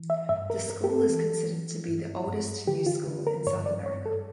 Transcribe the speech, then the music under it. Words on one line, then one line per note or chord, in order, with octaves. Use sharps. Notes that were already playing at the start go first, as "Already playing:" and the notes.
The school is considered to be the oldest new school in South America.
Already playing: E3
E5
G2 E5
A#4
G2 A#4
G4
A4
E3
E3
G2
G2
D3 G4
F4
D3
A#4
G2 C#5
D5
G2 C#5
A4